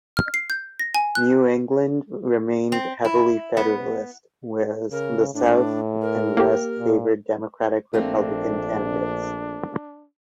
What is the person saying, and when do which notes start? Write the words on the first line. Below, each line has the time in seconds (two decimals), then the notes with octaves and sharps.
New England remained heavily Federalist, whereas the South and West favored Democratic-Republican candidates.
0.17 F6
0.34 C7
0.50 G6
0.79 A#6
0.95 G#5
1.15 F#6
2.72 C4
3.04 E4
3.57 B3
4.92 C#3 A#4
5.34 A2 D4
6.02 A#4
6.37 A#3 G4
6.79 A#2
7.93 A#1 A3 A#3 C4 D4